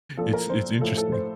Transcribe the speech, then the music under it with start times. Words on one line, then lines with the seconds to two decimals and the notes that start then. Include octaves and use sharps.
It's it's interesting.
0.17 A#2 F3 A4
0.33 A#4
0.49 C5
0.81 A2 F3 A4
0.97 A4
1.12 C5